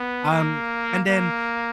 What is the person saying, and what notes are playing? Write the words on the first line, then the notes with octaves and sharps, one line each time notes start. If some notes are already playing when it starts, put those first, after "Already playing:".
Um, and then
Already playing: B3
A#3
A#3